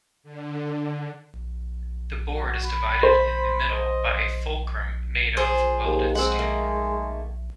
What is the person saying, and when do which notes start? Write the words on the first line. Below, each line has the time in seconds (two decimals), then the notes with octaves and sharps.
The board is divided in the middle by a fulcrum made of welded steel.
0.23 D3
2.35 F#4
2.64 B5
3.03 C5
3.69 D#5
5.37 F4 G#4 C5
5.85 D#2
6.15 G#3 C4 F#5
6.39 D#3 A3 A#3